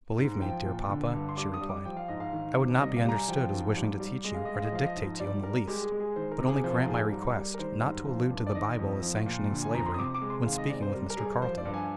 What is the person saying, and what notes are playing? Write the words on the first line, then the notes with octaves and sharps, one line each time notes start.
"Believe me, dear papa," she replied, "I would not be understood as wishing to teach you, or to dictate to you in the least; but only grant my request, not to allude to the Bible as sanctioning slavery, when speaking with Mr. Carlton."
G#2
F3 G5
A#2
D3
G2
C6
G3 D6
D#6
G3
D6
F3 G5
F5
G#2 D#5
F5
D#3
C3
G3 D#5
F5
G3 A#5
G#5
F3 G5
G#2
G3
G3
G#3 D#5
F5
G#3 D#5
F5
D#5
F3 F5
D#5
G#2
G3 D5
G3 A#4
G#3 G4
G#4
G#3
G#4
D#3 C5
A#4
C3
G#4
F3 C5
A#4
G#2 G#4
A#4
G3
G3
A#4
D#3 C5
G#2
F3
G2
D5
D#3 D#5
F2
F3
A#2
D3
G#5
F2 A#5
C6
D#6
C3 D6
D6
G#3
C6
D#3 F5
D#5
C3 D5
C5
G3 A#4
A#4
G3 G#4
A#4
F3 C5
D5
G2
G#5